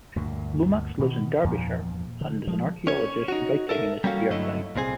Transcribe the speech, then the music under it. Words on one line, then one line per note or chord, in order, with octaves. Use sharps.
Lomax lives in Derbyshire and is an archaeologist, writing in his spare time.
D2 G2 A#2
B2 D#3 E3
E2 G2 A#2 F3
D3
F3 G#3
C#4 C#5
D#4 F#4
A4 A#4 D#5 E5
G3 A#3 C#4 F#4 F5
G2 D3 F#3 A3 E4 D#5
C2 A#2 C4 G#4